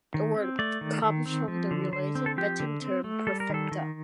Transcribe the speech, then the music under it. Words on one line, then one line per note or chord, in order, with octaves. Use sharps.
The word comes from the related betting term, perfecta.
D#3
C4
A3 D5
D#3
D#3
C4
F3
D3
D3 C5
C4
A4
F3 G4
D3
C4
A3
G3 A4
A#4
D#3 A4
D#3